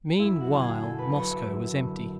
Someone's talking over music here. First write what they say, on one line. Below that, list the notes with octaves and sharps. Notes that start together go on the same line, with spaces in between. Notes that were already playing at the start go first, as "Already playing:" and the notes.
Meanwhile Moscow was empty.
F#2 E4 E5
F#4 F#5
D3 A5
G#4 G#5
F#1 A4 A5
B4 B5
F#1 C#5 C#6
E5 E6
F#2
D3